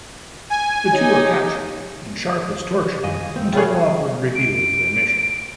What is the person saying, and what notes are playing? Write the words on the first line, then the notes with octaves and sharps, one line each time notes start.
The two are captured and Sharpe is tortured until Lawford reveals their mission.
G#5
D#4 G4 C#5
F#2 D#3 G3 G#4 D#5 F5
F1 A#3 C4
B2 C#4 E4 F4 G#4 A4 C#5 G5
D7